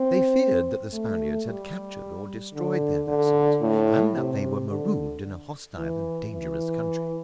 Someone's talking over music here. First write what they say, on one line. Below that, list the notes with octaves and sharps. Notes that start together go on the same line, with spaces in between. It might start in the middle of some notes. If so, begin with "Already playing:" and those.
They feared that the Spaniards had captured or destroyed their vessels and that they were marooned in a hostile and dangerous country.
Already playing: C4
A3
G3
D3
D3
A2
C3
D3
E3
E3